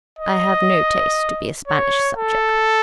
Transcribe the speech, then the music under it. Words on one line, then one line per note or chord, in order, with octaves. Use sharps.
"I have no taste to be a Spanish subject."
D#5
C#5
A4